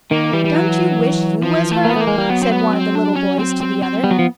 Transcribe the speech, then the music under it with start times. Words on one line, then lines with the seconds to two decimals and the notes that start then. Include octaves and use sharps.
'Don't you wish you was her?' said one of the little boys to the other.
0.11 D#3 A#3
0.33 E3 G3
0.44 G3
0.55 F#3
1.43 F3
1.71 A3
1.85 A#3 B3
1.96 A3
2.01 A#3
2.07 G#3
2.18 G3
2.30 F#3 B3
2.42 C4
2.51 B3
2.73 C4
2.95 D4
3.16 C#4
3.39 C4
3.61 C4
3.82 C4
4.04 G3 B3
4.11 F#3
4.19 F3